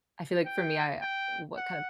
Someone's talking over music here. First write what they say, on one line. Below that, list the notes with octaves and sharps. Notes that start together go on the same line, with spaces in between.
I feel like for me, I what kind of m
G5
G5
F#5